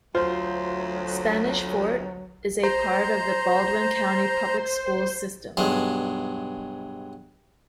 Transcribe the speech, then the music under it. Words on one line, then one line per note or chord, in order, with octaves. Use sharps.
Spanish Fort is a part of the Baldwin County Public Schools system.
D2 F#3 F4 C5 F5
C5 A#5
B1 G2 G#3